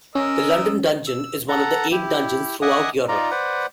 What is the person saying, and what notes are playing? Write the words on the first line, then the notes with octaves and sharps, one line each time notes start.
The London Dungeon is one of eight Dungeons throughout Europe.
C#4 A#4 D#5 E6
E6
A4 F#5 A#5
E4 G4
D#5 E5 F#5 G#5 D6 D#6
D#4 F4 D5 A#5
B4 C5 D5 F#5